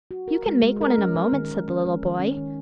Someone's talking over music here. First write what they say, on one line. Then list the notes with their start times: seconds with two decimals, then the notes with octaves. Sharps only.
"You can make one in a moment," said the little boy.
0.11 F#4
0.28 A#4
0.46 G#3
0.63 G#3
0.81 A#4
0.98 C#4
1.15 G#3
1.33 D#3
1.51 D#3
1.68 C#4
1.86 G#3
2.03 D#3
2.20 C#4
2.37 D#3